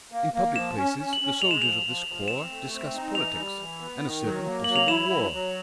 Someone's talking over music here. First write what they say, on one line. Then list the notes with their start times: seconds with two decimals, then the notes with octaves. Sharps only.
In public places the soldiers of this corps discuss politics and a certain possible war.
0.12 A#3
0.34 A#3
0.56 F3 E7
0.76 C#4
0.99 C#4
1.13 F#7
1.21 C#4
1.42 G#3 F7
1.51 E7
1.62 F3 F7
1.86 F3
2.07 F3
2.28 C4 E7
2.50 A3
2.72 C4
2.94 D#4
3.14 E3 F7
3.37 G3
3.59 E3
3.80 B3
4.02 D#3
4.24 F#3
4.45 A#3
4.64 F#3 F#7
4.76 F7
4.88 E4 E7
5.10 F#3
5.32 F#3